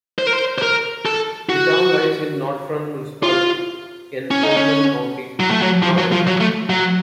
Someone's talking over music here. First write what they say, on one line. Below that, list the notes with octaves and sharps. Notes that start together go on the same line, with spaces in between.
The town lies in Nord-Fron municipality in Oppland County, Norway.
C5
A#4
C5
C5
A#4
A4
F#4
F4
C#4
D#4
C#4
F#3
A3
F#3
F3
F#3
F3
F#3
A3
F#3